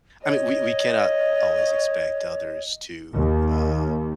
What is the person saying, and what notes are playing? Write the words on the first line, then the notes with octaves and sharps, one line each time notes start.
I mean, we we cannot always expect others to, uh
C#5 D#5
D#2